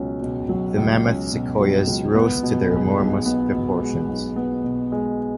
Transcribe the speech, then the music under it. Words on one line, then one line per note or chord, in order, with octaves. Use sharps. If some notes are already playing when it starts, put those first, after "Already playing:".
The mammoth sequoias rose to their enormous proportions.
Already playing: C#2 B2 F#3 C#4
B2
F#3
C#2
C#4
B2
F#3
C#2
B3
B2
G#3
B1
B3
B2
G#3
B1
B3
B2
G#3